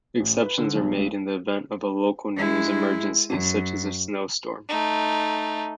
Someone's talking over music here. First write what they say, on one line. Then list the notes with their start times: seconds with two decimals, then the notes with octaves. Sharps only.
Exceptions are made in event of a local news emergency such as a snowstorm.
0.20 A1
0.42 B4
0.58 D3
0.75 B1
0.97 C#2
2.36 G#3 E4
3.29 F#2
4.69 A3 D#4